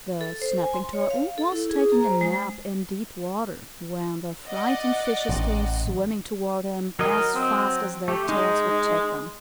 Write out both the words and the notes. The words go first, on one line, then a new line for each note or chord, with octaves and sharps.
The Snapping Turtle was taking a nap in deep water, when the frightened fishes came swimming toward him as fast as their tails would take them.
A4
C5
G#5
C6
C#5
F5
A4
E4
G#4
A#5
C5
G#3
D5 D#5 F#5
A1
F#3 A#4 D#5
C4
A3 G4
G#3 D#4